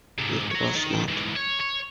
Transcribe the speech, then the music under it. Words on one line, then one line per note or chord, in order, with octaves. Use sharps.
It was not.
G#2 C3
C#5 A#5
D#3
G#2 E3
C#5
C#5